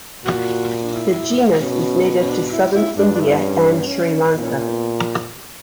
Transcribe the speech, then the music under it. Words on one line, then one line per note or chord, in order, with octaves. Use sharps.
The genus is native to southern India and Sri Lanka.
A#2 F#4
D4
E4
B2 C#4
C#4
D4
E4
E4
G2 D4
D4
E4
D4
C#4
D4
C#4
B3
C#4
A#2 B3
C#4
B3
C#4
B3